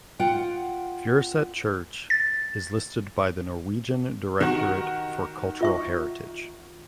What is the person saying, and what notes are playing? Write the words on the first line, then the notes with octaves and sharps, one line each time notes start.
Furuset Church is listed by the Norwegian Directorate for Cultural Heritage.
F4 F#5 G5
A6
D#3 F#4 G4 C#6
F4 E5 C#6